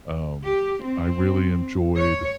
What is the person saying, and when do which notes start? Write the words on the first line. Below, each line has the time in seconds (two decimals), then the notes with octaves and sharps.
um, I really enjoyed.
0.44 G4
0.82 C4
1.96 C#5